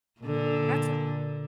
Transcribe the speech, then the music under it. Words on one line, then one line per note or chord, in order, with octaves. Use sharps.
that's a
A#2 D3